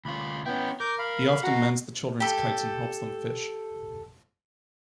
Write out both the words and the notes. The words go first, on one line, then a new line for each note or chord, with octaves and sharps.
He often mends the children's kites and helps them fish.
D2 F4 B5
B3 C#4 E4 G5
A#4 D6 G6
F5 B5
F#4 D#5 F#5 A#5
G4 A4